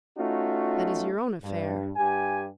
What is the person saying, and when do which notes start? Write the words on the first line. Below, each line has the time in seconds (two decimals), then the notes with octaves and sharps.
"That is your own affair."
0.18 A3 C#4 D#4 F4 F#4
1.43 G2
1.96 G2 G4 G#5